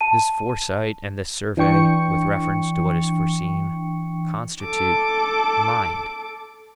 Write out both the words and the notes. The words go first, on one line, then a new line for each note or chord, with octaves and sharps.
This foresight and this survey with reference to what is foreseen constitute mind.
A5 D#7
E3 D4 G5 C#6 C#7
A4 D6